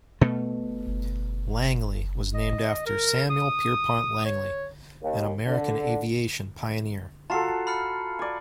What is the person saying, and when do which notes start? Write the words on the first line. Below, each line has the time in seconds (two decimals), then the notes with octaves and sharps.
"Langley" was named after Samuel Pierpont Langley, an American aviation pioneer.
0.21 B2 A3
2.34 D#5
2.86 A#4
3.30 D#6
4.25 C#5
5.03 D#2
5.44 D3
7.30 F4 F#4 A4 A5 A#5 C7
7.67 B5 F6 C#7
8.19 D5 G#5